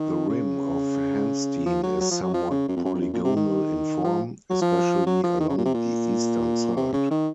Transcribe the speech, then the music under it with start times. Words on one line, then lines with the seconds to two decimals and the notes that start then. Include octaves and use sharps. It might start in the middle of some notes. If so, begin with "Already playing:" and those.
The rim of Hansteen is somewhat polygonal in form, especially along the eastern side.
Already playing: D#3
0.30 C#3
1.66 F3
1.83 F#3
2.01 F#3
2.11 F3
2.22 F#3
2.34 F3
2.51 C#3
2.68 F#2
2.77 F2
2.85 F#2
2.94 F2
3.02 F#2
3.13 A#2
3.24 C3
3.36 D#3
4.04 F3
4.50 F#3
4.62 F3
5.07 F#3
5.24 F3
5.40 D#3
5.49 C#3
5.58 A#2
5.65 C3
5.74 A#2
6.77 C3
6.93 C#3
7.11 D#3